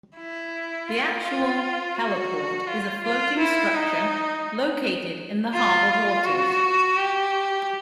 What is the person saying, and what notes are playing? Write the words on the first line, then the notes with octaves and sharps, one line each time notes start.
The actual heliport is a floating structure located in the harbour waters.
E4
F4
F4
F#4
F4
F4
E4
D#4
F4
F4
F#4
G4